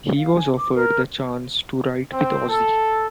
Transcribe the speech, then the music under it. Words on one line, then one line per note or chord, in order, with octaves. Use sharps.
He was offered the chance to write with Ozzy.
F5
G#5
D6
A#4
C4
A4